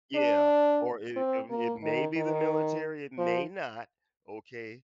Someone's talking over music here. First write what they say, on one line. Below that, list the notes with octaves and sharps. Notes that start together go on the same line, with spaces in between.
yeah, or it it may be the military, it may not, okay,
D4
C4
A#3
D#3
D#3
F3